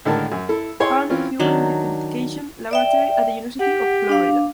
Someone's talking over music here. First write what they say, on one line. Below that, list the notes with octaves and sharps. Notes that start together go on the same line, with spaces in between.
Pound Human Identification Laboratory at the University of Florida.
A2 D3 D#3 G#3 A#4 A5
F#2
E4 A4
E4 G#4 C#5 G5 C6
E3 C4 C#4 F4
D#3 F#3 D4
D5 E5 G5
G4 F#5
D4 F5